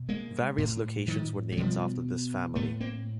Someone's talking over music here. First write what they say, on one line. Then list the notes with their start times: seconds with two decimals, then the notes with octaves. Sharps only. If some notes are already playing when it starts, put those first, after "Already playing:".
Various locations were named after this family.
Already playing: B2
0.09 G#3 A#3
0.58 A2
1.08 D#3 F3
1.52 F#3
1.57 B2 F3 G3
2.55 A2 A3 B3
2.80 A#3 C4